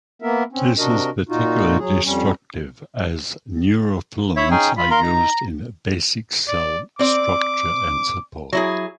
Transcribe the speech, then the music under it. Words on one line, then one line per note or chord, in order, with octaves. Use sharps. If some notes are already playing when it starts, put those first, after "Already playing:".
This is particularly destructive as neurofilaments are used in basic cell structure and support.
A#3 B3 A#4 E5
C4 C#4
C3 D4 F#4 A#4 D#5
A#2 D#4 F4 F#4
F#3 G#4
F2 G3 C#4
E4 C#5 E5
C#4 D#4 G#4 G5
F4 B5
A#4 F5 A#5 C6
D#4
D5
C4 D5 D6
F#3 E4 G#4